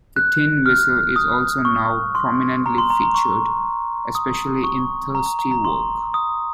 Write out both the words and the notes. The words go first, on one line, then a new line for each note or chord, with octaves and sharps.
The tin whistle is also now prominently featured, especially in Thirsty Work.
F#6
F6
D#6
C#6
C6
A#5
C6
A#5
A#5
C#6
D#6
C#6
A#5
A#5
A#5
A#5
C6
D#6